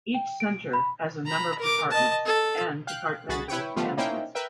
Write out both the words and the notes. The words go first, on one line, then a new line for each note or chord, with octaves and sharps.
Each centre has a number of departments and departmental managements.
G5
D7
B5
A#5 B5
A#4 D6
D#5 A5
A4
F5 G5 F#6
C2 F#4 G#4 B5 A6
E4 B4 C#5 G5
F3 G3 A3 B3 F4
A#3 C#4 D#4 E4 C5 G5
A#4 B4 E5 G5